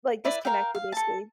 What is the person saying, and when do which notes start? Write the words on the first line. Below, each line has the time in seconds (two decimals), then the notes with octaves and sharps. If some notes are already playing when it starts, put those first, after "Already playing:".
like, disconnected, basically.
0.25 E4 B4 D5 E5
0.45 A#4 F5 G5
0.75 F5
0.92 A4 A5